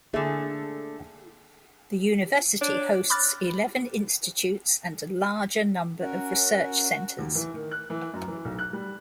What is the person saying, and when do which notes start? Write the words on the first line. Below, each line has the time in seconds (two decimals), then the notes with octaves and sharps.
The University hosts eleven institutes and a larger number of research centres.
0.13 D3 A3 A#3 G#4 E5
2.61 D4 C#5
3.10 B5 D6 F6 F#6 A6
6.00 C#4 F#4 A#4
7.19 D#2
7.35 E3
7.54 D#3
7.71 F#6
7.90 E3
8.13 F#2
8.28 E3
8.45 B1
8.59 F#6
8.73 G3